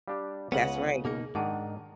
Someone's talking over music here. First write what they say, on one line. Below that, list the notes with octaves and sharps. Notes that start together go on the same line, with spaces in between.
That's right.
G3 D4 G4 F5
C#2 C#3 B3 C#4 F#5
B2 A#3 D#4 G#4
G#2 D#3 D4 G#4 F#5 A5